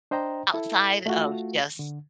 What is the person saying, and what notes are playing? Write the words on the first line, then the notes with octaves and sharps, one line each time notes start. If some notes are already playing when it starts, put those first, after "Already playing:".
outside of just
D4 C5 D#5 G5 A#5
E4 A4
A3 F4 F#4
D3